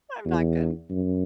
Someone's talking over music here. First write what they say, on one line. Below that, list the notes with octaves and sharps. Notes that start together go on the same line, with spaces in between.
I'm not good.
E2
F#2